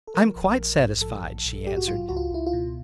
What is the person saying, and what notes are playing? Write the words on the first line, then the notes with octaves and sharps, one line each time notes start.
"I'm quite satisfied," she answered.
A4
F3 A#4
A#1
A#1
G#2
F3 A4
A#1
A#1
G#2 G4
F#4
F#3 F4
C#2 F#4
F4
C#2 E4
F4
B2